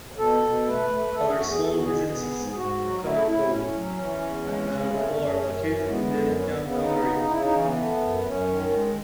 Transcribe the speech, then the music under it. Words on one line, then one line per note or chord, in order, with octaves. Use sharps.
Other small businesses come and go, and all are located in the downtown area.
B2 A4
B2
A3 B4
A3
A3 A4
G#4
E2 F#4
G#4
E2 A4
G#4
F#4
B2 G#4
B3 G#4
G#2
G#4
G#2 F#4
F#3
F#4
A3 E4
A2 E4
A2 C#4
F#3
E3
E2
G#3
C#3
A3 C#4
F#2
F#2
E3
G#3 B3
F#2
B3 C#4
B3
C#3
B3
B3 D#4
C#3
C#3 E4
D#4
E3 C#4
B3
A3
F#2
F#2 C#4
D#3
G#3